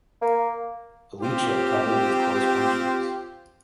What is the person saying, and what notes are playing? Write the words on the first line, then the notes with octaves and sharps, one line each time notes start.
Elytra covered with coarse punctures.
A#3
C4 F4 G4